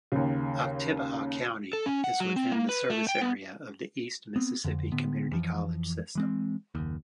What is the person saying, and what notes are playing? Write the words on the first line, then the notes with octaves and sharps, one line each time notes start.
Oktibbeha County is within the service area of the East Mississippi Community College system.
D#2 C#3
A4
C#4
F#5
F#3
C4
A#3
B4
A3
G5
B3
B3 C4
F2 D3
A2 D3 B3
F2 E3 F3
E3 G#3 C4
F#1 D#2